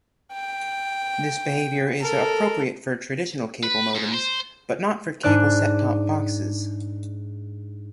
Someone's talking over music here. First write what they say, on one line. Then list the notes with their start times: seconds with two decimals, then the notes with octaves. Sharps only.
This behavior is appropriate for traditional cable modems, but not for cable set-top boxes.
0.33 G5
2.02 A4 A#4
3.63 B4
3.95 G#2
4.14 C5
5.23 G#2 D4 D5 F#6